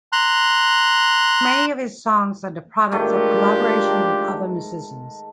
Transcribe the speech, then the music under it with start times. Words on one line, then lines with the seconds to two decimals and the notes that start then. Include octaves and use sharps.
Many of his songs are the products of collaborations with other musicians.
0.12 A#5 C6 F#6
2.92 G#2 D#3 A3 D4 F4 G4